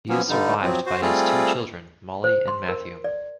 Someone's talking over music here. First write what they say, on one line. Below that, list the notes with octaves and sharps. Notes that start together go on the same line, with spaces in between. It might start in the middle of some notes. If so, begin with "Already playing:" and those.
He is survived by his two children, Molly and Matthew.
F3 F#3 A#3 B3 C#4
G2 D3 G3 D#4
F3 F#3 C4
F#4 C5
G3 A3 C4 F4 G#4 A4
C5
C6
A#4
D5